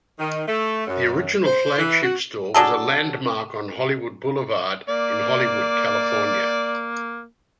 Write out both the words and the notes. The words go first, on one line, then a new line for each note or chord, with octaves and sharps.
The original flagship store was a landmark on Hollywood Boulevard in Hollywood, California.
D#3
A3
F#2
C5
E3
F#4
F#3 D4 G#4 A4
A#3 D5